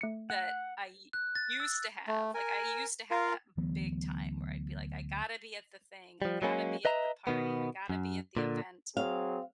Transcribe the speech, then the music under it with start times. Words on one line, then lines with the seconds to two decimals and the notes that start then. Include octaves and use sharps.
that I u used to have, like, I used to have that big time where I'd be like, "I gotta be at the thing, I gotta be at the party, I gotta be at the event."
0.01 A3 C#7
0.30 F#5
1.13 F#6
1.35 A6
1.60 E6
2.08 A3
2.34 A#4 G#5
3.11 F4 A#4 F5
3.57 D2 E3 F#3 B3
6.22 F3 G3
6.42 F#3 G#3 A#3 C#4
6.85 B4 D#5 E5 A#5
7.27 B2 D#3 B3
7.90 F#2
8.37 A#2 D3
8.97 F#3 C4 G#4 F5